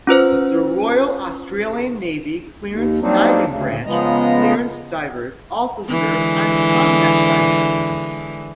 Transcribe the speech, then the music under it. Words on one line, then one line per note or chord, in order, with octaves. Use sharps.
The Royal Australian Navy Clearance Diving Branch clearance divers also serve as combat divers.
C#4 F4 B4 C5
D#2
F#3 G3 A#3 C4 D4 D#4
D2 C#3
C#3 F3 G#3 B3 D#5 A#5
D3 E3 G#3